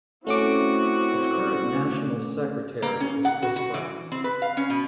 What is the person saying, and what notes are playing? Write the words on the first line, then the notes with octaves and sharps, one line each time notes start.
Its current National Secretary is Chris Brown.
A3 C4 C#4 E4 F#4 D6
A#3
C#4
F#5
F#4
F#4
E3
C4
B4
F5
C#4
B2